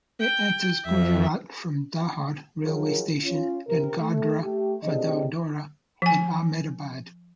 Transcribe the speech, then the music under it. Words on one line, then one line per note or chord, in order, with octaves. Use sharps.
It enters Gujarat from Dahod railway station then Godhra, Vadodara and Ahmedabad.
G5
F2 E5
D#3 F3 F#3 G#4 A#4
C#4 F4
C3 A#4
A3
A3 G4
A2 C3 C4 D4 G#4 D#5
F3 G#5